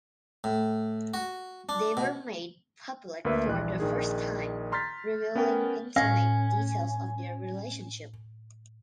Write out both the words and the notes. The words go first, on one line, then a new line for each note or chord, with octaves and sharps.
They were made public for the first time, revealing intimate details of their relationship.
A2
F#4
D4
B2
D2 A#3 B4 E5
A#1 E3 F#6
A#1 D#3 G#4
A#5 C6 F6 G6 A6 B6
B3 C#4 A#4 G5
A2 C#4 F5 A#6